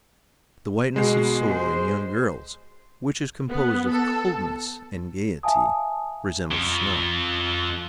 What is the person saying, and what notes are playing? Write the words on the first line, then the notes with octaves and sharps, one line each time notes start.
The whiteness of soul in young girls, which is composed of coldness and gayety, resembles snow.
B2 G#3 C7
C5
B3
A4
E5 F5 G#5 A5 D#6
F2